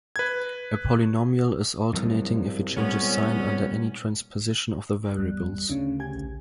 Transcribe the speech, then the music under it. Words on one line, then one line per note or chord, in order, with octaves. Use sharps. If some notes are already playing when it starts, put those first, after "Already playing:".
A polynomial is alternating if it changes sign under any transposition of the variables.
B4 G#6
C2 G2 F3 F#3
A#2 G3 G#3 B3 C#4
G1 E2 G3 F#6
D2 C#3 C#4 D4
G4 G#5 G#6
A#1